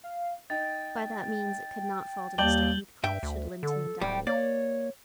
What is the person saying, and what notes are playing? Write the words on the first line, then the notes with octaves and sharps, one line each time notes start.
By that means, it could not fall to Mr. Heathcliff should Linton die.
F5
D#4 G5 A6
D#2 G3 D5 G5 A5 G6 F#7 G7
G2 E5 G5
D2
D3 A4
D1 G3 G5
A#3 C#5 D5